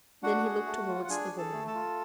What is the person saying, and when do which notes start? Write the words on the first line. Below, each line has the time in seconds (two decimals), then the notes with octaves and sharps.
Then he looked towards the woman.
0.23 D4 F#4 F#5
0.44 G#4
0.66 A3
0.88 F4
1.05 F#5
1.09 D4 G#4 G#5
1.32 G#4
1.38 A4 A5
1.53 A3
1.67 A4 A5
1.75 F4